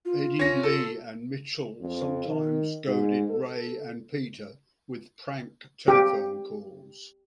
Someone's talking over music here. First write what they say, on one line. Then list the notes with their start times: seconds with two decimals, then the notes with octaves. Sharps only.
Eddie Lee and Mitchell sometimes goaded Ray and Peter with prank telephone calls.
0.05 F4
0.39 C#4 A#6
0.63 A4
1.81 F2
2.27 D#3
2.87 G#2
3.30 A4
5.88 G4